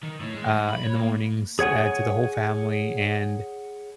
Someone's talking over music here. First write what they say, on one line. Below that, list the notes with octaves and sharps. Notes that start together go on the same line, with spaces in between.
uh, in the mornings, eh, to the whole family, and,
D#3
A2
G#3
G#2
B5
C#5
A#3
G#4 C#5 F#5 G#5